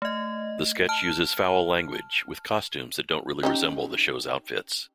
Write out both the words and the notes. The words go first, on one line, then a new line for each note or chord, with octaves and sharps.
The sketch uses foul language, with costumes that don't really resemble the shows outfits.
A3 D#5
A5 F6
C#4 D#4 G4